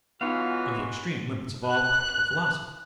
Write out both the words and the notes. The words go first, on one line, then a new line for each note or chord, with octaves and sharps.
Of the Extreme Limits of all Practical Philosophy.
E3 G#3 B3 D#4 F4 F#4 C#5 F5
F#6